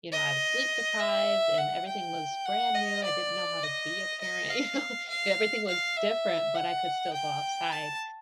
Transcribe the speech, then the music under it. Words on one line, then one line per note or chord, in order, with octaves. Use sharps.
you know, I was sleep deprived and everything was brand new, I didn't know how to be a parent, you know? Everything was different, but I could still go outside,
D#5
E5
F#5
G5
F#5
D#5
D5
D#5
D#5
F5
F5
F5
E5
F#5
G5
A5